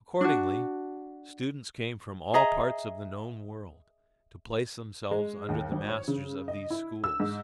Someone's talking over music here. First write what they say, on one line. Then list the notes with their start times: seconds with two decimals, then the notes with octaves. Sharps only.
Accordingly, students came from all parts of the known world, to place themselves under the masters of these schools.
0.21 D4 F#4
2.34 G#4 D#5 E5 A#5
5.11 G#3
5.49 D#2
5.72 G#1
5.89 C#5
6.08 C#3
6.48 D#5
6.70 E4
7.04 E6
7.20 G#2